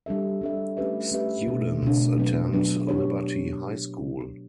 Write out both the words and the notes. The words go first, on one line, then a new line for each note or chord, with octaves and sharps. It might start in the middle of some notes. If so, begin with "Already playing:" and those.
Students attend Liberty High School.
G3 D4 A4 E5
G3 D4 A4 E5
A3 C#4 G4 B4 E5
A3 C#4 G4 B4 E5
B2 A3 D4
B2 A3 D4
F#3 B3 D4
F#3 B3 D4
B3 D4 G4 C#5